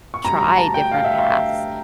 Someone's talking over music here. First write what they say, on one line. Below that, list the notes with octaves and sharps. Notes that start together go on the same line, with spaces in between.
try different paths.
C#6
D2 D3 G3 A#5
A#5
A5
G5
F5
E5
F5